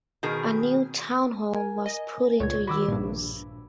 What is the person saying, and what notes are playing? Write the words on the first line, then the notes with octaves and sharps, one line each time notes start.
A new town hall was put into use.
B2 D#3 G#4 A#4
A#4 G#5
D#5
C#2 A#2 C#5 G#6
D#3 F#4 B5 D6 E6
A#1 G2 A#2